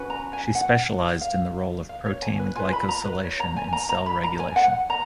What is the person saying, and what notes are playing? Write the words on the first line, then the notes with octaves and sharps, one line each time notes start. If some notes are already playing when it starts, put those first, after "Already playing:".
She specialised in the role of protein glycosylation in cell regulation.
Already playing: C#4 F#4 B4
A#5
G#5
F#5
F5
F5
C#5
G#5
B4
F4 B4 G#5
B5
A#5
B4
C#5
A#5
G#5
A#5
A#5
B5
A#5
G#5
F#5
A#5